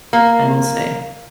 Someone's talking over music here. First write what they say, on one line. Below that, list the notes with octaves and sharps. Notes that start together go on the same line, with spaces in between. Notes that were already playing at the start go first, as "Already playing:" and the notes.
I will say.
A#3